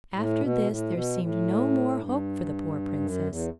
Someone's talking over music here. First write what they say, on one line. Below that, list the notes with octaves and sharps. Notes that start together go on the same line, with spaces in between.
After this, there seemed no more hope for the poor princess.
A2
B2
A2
B2
A2
G2
F#2
E2